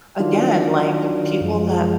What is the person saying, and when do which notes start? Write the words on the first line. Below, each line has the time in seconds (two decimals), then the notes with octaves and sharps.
Again, like, people that
0.19 D#3 F#3 D4 F4
1.41 F#2 F3 G#3